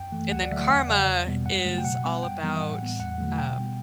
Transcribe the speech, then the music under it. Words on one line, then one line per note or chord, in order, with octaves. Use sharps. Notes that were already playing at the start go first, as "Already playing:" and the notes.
and then "Karma" is all about, um
Already playing: F#2 G5
E3 A3
D2 F#5
D5
D3 F#3 A3 E5
F#5
E2 G5
F#5
C#3 F#3 D5
E2
B2 G3 B3
F#2 F#5
C#3 F#3 A3
G5
B2 F#5
G3 B3
F#2 G5
E3 G3 B3
E5
A2 F#5
G3 B3
E2 F#5
D3 F#3 A3
B2 G5
G3 B3